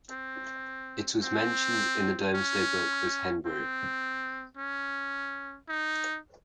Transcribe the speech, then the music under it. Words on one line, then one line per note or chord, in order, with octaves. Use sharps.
It was mentioned in the Domesday Book as "Henberie".
C4
C4
C#4
C4
C#4
D#4